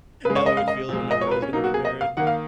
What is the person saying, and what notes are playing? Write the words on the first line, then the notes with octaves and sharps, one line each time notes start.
how I would feel when my brother is gonna get married.
C#3 G#3 B4
C#5
D#5
F5
D#5
A#2 F3 G#3
D#5
C#5
A#4
B4
C#4
B2 F#3 A#3 D#4
F#4
G#4
D#5
F5
D#3 A#3 F#5
F5